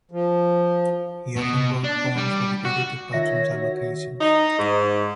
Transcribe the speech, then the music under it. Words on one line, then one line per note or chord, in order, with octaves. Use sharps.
He often wrote poems dedicated to patrons and occasions.
F3
B2
D4
G3
F#4
D#3 F4 C#5 E5 A#6
F#4
D#4
G#2